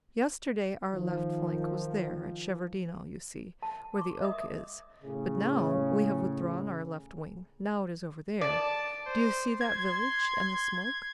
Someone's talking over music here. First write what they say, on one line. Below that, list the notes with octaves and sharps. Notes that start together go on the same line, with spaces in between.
Yesterday our left flank was there at Shevardino, you see, where the oak is, but now we have withdrawn our left wing--now it is over there, do you see that village and the smoke?
D#3 F3
A5
C#6 D6
D#5 E5 D#6
A2 C#3
D5 A5
C5
C6 G#6